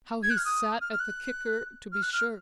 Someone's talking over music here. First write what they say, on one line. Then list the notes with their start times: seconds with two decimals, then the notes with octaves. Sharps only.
How he sat the kicker to be sure!
0.23 G#6
0.30 F#6
0.37 F6
0.45 D#6
0.81 F6
0.93 F6
1.00 F#6
1.92 F6
2.02 F#6
2.13 F6